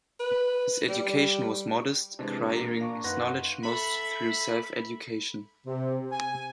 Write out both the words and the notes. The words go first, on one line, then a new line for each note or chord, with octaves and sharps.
His education was modest, acquiring his knowledge mostly through self-education.
B4
G3
C3 E3 G#3 D4 G4
A#2 A#3 A#5
D4 F5 C#6
F#2 D#4 B4 F#5 C6 F#6 A#6
A4 E5 B5
C3
G#5